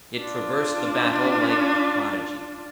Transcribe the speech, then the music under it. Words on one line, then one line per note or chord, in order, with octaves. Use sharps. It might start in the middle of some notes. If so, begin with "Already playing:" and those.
It traversed the battle like a prodigy.
D4 F4